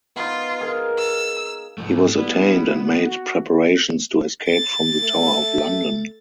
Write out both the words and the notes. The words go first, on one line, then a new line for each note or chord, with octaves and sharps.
He was attainted and made preparations to escape from the Tower of London.
B3 D#4 F4
G#4 A#4 F5
E6
G#2 F3 A3
G3 B3 E4
F#4
A6
A3